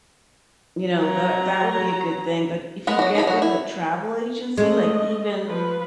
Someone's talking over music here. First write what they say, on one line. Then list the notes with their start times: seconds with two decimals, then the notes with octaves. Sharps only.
you know, that that would be a good thing, but if you get with a travel agency, like even
0.97 F#3 A#5
2.87 G#3 B3 A#4 F#5 B5
2.99 F#3 F#4
3.15 D#4 E4 A#5 B5
3.27 F#3 F#4
3.42 E4
4.57 G#3 A3 D#5
5.47 F3 B4